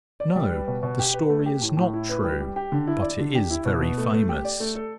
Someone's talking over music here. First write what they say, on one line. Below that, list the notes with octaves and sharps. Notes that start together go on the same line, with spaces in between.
No, the story is not true, but it is very famous.
D5
G3
B4
B2
B2
G4
B4
A3
G4
A2
A2
E4
B4
G3
G4
G4
D3
E4
D5
D3
G4
E4
B2
B3
A3
A3
G4
D5
A3
A4